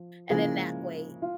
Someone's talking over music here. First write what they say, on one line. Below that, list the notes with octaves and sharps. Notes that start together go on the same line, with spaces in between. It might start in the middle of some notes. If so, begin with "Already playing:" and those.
and then, that way,
Already playing: F3
C#3 F3 G#3 A#3 E4
F4